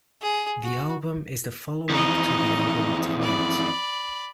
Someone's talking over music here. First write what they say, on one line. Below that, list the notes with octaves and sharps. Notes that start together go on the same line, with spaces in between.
The album is the follow-up to the album "Tight".
G#4
F#4
F2 E3 D#4 D#5
D5 B5